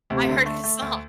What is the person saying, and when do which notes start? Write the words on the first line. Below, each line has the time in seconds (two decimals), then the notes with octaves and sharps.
I heard the song.
0.10 D2 C3
0.29 D3
0.46 A3
0.64 A3
0.82 D2